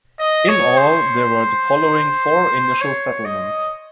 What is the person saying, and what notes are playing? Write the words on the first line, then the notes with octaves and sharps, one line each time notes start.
In all, there were the following four initial settlements.
D#5
C#5
C5
C#5
D#5